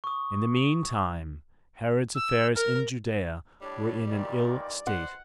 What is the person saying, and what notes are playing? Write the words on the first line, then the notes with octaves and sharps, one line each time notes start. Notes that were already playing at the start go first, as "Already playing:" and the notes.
In the mean time, Herod's affairs in Judea were in an ill state.
C#6 D#6
E6
A#4 F6
A2 G3 D4 C#5
G2 A#2 D#3 D5
C5 F#5